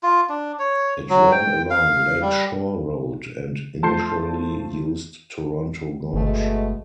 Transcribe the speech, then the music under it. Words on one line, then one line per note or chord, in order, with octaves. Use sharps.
It ran along Lake Shore Road and initially used Toronto gauge.
F4
D4
C#5
F#3
G5
F5
G3
F3 A3 A5 C6 G6 C7
G1 B2 G#3 A3